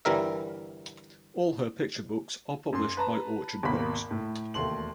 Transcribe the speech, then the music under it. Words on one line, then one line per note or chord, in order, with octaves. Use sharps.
All her picture books are published by Orchard Books.
G1 E3 G3 A#4 E5
F#2 C6
B4 A5 A#5
G#1 D#2 B2 A#3 B5 B6
A2
E1 D#2 A3 C6 F#7